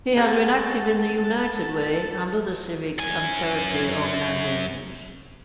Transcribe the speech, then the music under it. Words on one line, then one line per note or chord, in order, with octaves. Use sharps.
He has been active in the United Way and other civic and charity organizations.
G#3 F#4 G#4 A4
F#2 G#5